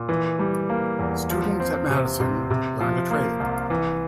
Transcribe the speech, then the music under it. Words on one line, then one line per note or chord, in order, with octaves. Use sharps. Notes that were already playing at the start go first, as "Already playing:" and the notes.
Students at Madison learned a trade.
Already playing: A#2
E3
G3
A#3
E2
F3
C4
C3
C3
C3
F3
A#3
C2
E3